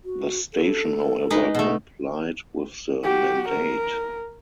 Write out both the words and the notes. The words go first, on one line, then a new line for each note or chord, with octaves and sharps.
The station, however, complied with the mandate.
F#4
A4
G#3 D#4 B4
B2 A3 G#4
F#4 G4
A#4